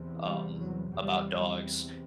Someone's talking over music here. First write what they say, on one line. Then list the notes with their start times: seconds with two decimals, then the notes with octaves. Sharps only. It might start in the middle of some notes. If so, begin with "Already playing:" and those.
um, about dogs,
Already playing: E2 C3
0.25 G3
0.59 F#3
0.94 E2 C3 G3